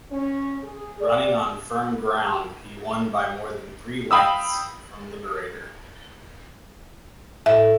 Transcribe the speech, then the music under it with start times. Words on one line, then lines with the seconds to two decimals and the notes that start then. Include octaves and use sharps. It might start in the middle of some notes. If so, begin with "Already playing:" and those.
Running on firm ground he won by more than three lengths from Liberator.
0.11 C#4
0.63 G#4
1.01 D5
4.11 F5 G5 B5 D#6 E6
7.46 A2 E5